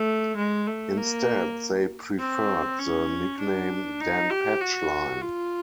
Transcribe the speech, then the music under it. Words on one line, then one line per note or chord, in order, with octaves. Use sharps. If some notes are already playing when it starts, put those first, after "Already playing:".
Instead, they preferred the nickname Dan Patch Line.
Already playing: A3
G#3
A3
A#3
C4
C#4
D4
D#4
G4
F#4
F4